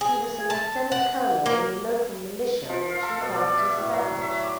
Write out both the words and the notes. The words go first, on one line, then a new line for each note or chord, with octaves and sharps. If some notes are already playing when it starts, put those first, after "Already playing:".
He was a lieutenant colonel in the local militia which he helped establish.
G#4
A5
F#5
A#3
F3
F5
A4
B2
D5
E5
A2
F#3
E5
D6